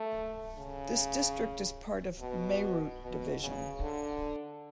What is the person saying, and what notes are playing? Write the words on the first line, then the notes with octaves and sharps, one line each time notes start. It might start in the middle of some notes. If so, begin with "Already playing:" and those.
This district is part of Meerut Division.
Already playing: A3
C#3
B2
B2
C#3
D3